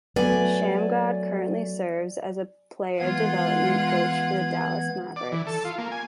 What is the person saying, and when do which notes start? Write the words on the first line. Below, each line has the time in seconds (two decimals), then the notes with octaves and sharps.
Shammgod currently serves as a player development coach for the Dallas Mavericks.
0.16 F#3 A3 B3 D5 G#5
2.99 E3 G#3 B3 F4 F#5 G#6
5.16 D5
5.32 E3
5.47 A4
5.65 F4
5.78 A#3
5.92 G#5